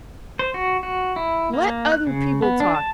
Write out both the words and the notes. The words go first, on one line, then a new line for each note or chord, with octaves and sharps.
Let other people talk.
C5
F#4
F#4
E4
A#3
F#6
C#3
B3
D4
A5